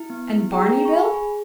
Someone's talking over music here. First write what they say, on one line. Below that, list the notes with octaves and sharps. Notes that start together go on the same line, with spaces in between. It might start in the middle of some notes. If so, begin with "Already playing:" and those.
"And Barney Bill?"
Already playing: E4
B3
E4
G#4 G5 A#5
G#4
C#6
G#4 G#5 B5
G#4